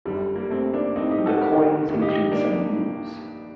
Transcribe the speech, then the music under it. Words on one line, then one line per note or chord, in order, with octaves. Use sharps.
The coins include some mules.
G1 F#2 D3 G3
G3 A#3
A3 C4
A#3 D4
A1 A2 C4 D#4
D#4 G4
F#4 A4
G4 A#4
A1 G2 D#3
D#4 G4
A#3 D4